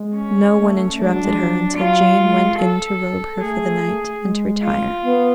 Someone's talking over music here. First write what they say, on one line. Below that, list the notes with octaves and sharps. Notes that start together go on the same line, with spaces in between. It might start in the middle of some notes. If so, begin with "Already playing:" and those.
No one interrupted her until Jane went in to robe her for the night, and to retire.
Already playing: G#3
C#4
A3
A3 D4
G#3
F#3
G#3
F#3
F#3 F4
G#3
A4
A3 G#4
G#3
F4
B3